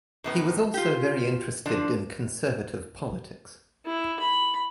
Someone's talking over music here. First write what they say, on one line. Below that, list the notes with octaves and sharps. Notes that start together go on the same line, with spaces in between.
He was also very interested in Conservative politics.
F#2 A2 B3 B4
F4 G4
D3 F3 D4
E4
B5